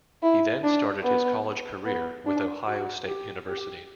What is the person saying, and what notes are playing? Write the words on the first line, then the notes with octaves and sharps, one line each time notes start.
He then started his college career with Ohio State University.
E4
D4
B3
B3
D4
F#4
G4
G4